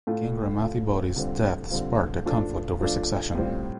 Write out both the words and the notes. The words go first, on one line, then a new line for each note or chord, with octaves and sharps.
King Ramathibodi's death sparked a conflict over succession.
A2 A3 F4
A2 A3 F4
D3 G3 C4 F4
D3 G3 C4 F4
F3 A3 D4 F4
F3 A3 D4 F4
A2 G3 C4 F4